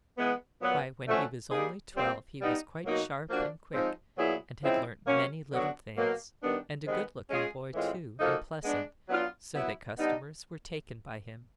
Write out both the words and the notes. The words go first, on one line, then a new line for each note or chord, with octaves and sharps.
Why, when he was only twelve he was quite sharp and quick, and had learnt many little things, and a good-looking boy too, and pleasant, so that customers were taken by him.
E3 G#3 B3
A#2 F#3 B3
D3 F3 A3 C#4 F#4
G3 A#3 D#4 G#4
A#2 G3 C4
G3 B3 D#4
B2 F#3 A#3 D#4 F#4
F3 A#3 D4 F#4
F3 G#3 C4 D#4
A#2 F#3 B3 E4 G#4
C#3 F3 G#3 C4 E4
F#3 A#3 C#4
D3 F#3 B3 D4 F#4
B2 F#3 A#3
D#3 G3 B3 D4
C3 D#3 G#3 B3
G#3 C#4 F4 G#4
A2 E3 G#3 C4 F4
F3 A#3 D#4 F#4 A4
G#3 B3 D4
F#3 B3 D4 F4
F#3 B3 E4
D3 G3 B3 D#4